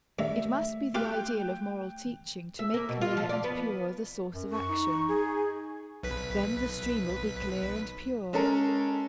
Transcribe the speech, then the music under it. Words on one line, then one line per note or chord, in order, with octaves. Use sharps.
It must be the ideal of moral teaching to make clear and pure the source of action. Then the stream will be clear and pure.
G2 D#3 A3 E5
F4 G4 F5 G5 F#6
E5
A#3
B2
F4
F3
D5
B3
F#2
C#6
D#4
G#4
B1 B4 B6
G#3 C#4 A4 A#4